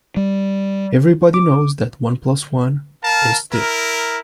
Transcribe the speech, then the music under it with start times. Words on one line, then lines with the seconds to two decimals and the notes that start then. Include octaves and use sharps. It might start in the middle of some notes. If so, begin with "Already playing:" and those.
Everybody knows that one plus one is two.
0.17 G3
1.34 D6
3.03 A#4 F5 A5
3.52 E4 A#4